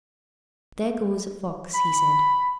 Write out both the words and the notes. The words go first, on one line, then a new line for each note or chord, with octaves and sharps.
"There goes a fox," he said.
B5